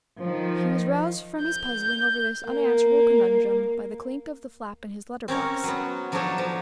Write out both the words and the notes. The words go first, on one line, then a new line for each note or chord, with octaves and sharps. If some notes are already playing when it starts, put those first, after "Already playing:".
He was roused from his puzzling over this unanswerable conundrum by the clink of the flap in his letter-box.
D#3 F3
G6
A#3
C4 C#4 A#4 C#5
F#3 B3
F3 F#3 D4 D#4 A4 C#5
F3